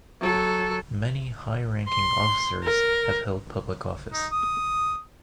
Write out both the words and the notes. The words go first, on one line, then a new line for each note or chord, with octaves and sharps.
Many high-ranking officers have held public office.
F#3 A4
C6
A#4
D#4
D#6